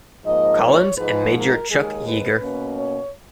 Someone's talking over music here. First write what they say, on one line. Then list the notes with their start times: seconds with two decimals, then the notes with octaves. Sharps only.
Collins and Major Chuck Yeager.
0.24 G#2 F3 A#3 D#5
0.61 C#5
0.96 G#2 F3 G#3 B4
1.34 A#4
1.70 D#2 D#3 G#3 G#4
2.05 B4
2.42 B2 A#3 C#4
2.79 C#5